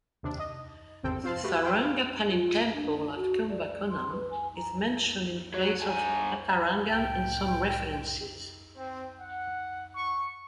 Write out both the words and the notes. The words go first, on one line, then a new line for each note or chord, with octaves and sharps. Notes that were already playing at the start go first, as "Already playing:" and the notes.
The Sarangapani temple at Kumbakonam is mentioned in place of Vatarangam in some references.
D#2 C3 D4
D#5
G#1 E2 C3 C4 A4 G5
C4 F4 C5 F5 A5
A3 F#4 G4 B4
B4 C5 F5 G5 B5
F4
D4
D4
F#4
D5
C6
B4
G#5
A#5
F#3
G2 G#5
C2 A2 G5
C4
F#5
C#6